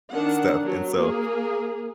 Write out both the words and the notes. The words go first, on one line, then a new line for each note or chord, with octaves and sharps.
stuff, and so,
D#3 D4 F#5
F#3
A#3 G#4